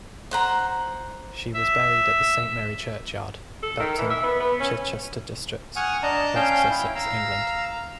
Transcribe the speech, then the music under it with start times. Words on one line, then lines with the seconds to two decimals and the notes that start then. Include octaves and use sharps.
She was buried at the Saint Mary Churchyard, Bepton, Chichester District, West Sussex, England.
0.31 C5 F#5 A#5
1.54 E5
3.62 A4
3.80 D#3
3.98 E3
4.10 E5
4.23 B3
4.40 B3
4.60 C#4
5.76 F#5 G#5 C#6 D#6 F6
6.03 D4 D#5 A5 A#5
6.35 C#4 F5 G5 G6
6.70 E4
6.95 F5 A#5 E6